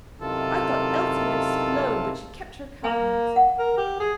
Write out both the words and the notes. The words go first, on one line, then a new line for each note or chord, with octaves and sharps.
I thought Elsie would explode; but she kept her countenance.
F#2 C3 D#3 E4 F4 A4
A#3 G#5
F#5
A#4
G4
G#4